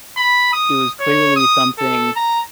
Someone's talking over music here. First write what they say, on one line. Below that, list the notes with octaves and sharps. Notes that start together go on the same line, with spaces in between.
it was clearly something,
B5
D#6
C#5
D#6
A4
A#5